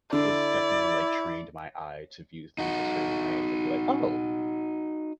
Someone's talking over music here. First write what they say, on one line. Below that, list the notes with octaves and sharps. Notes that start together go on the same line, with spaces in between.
it's definitely, like, trained my eye to view things a certain way to be, like, "Oh,
D3 E4 D5
D#4 F#4